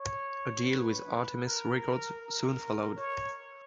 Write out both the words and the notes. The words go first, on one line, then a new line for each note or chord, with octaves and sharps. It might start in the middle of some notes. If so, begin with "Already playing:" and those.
A deal with Artemis Records soon followed.
Already playing: C#5
B4
A#4
A#4
C#5